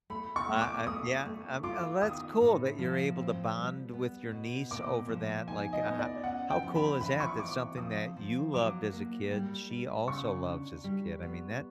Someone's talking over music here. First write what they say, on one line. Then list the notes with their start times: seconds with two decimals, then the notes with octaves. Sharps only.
Uh I yeah, um, and that's cool that you're able to bond with your niece over that, like, ho how cool is that, that something that you loved as a kid, she also loves as a kid, I mean, that
0.10 A3 B5
0.36 C#6
0.48 A3
0.61 D6
0.87 A3 D#6
1.25 A3
1.63 F4 D6
2.02 D#3 D#6
2.41 A2
2.79 F3
3.17 C4
3.56 G3
3.93 B3
4.32 B2
4.71 A#2 D6
5.09 F3
5.48 D#4 G#5
5.73 D#5
5.86 B3
5.99 D5
6.24 C#4 F#5
6.50 G5
6.62 F3
6.75 B5
7.01 E3 B5
7.20 C#6
7.39 C4 D6
7.77 F3 D#6
8.16 F3
8.54 F#3 D6
8.93 A#3
9.31 G3
9.70 G3
10.07 C#3 C#6
10.46 D4
10.84 G3
11.23 B3